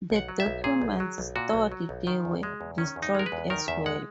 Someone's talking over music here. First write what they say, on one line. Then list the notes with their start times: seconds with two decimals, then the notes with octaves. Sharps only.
The documents stored there were destroyed as well.
0.10 B1
0.16 F#5
0.29 F#3
0.40 E5
0.46 B1
0.64 A#2 G#4
0.82 B1
1.00 F#3
1.18 B1
1.36 A#2 F#4
1.53 B1
1.72 F#3
1.89 B1
2.07 D#3
2.25 E2
2.43 G#3
2.61 E2
2.78 D#3 C#4
2.96 E2
3.02 D#4
3.15 G#3 A#4
3.26 B4
3.32 E2
3.50 D#3 A#4
3.68 E2 E5
3.86 G#3 F#5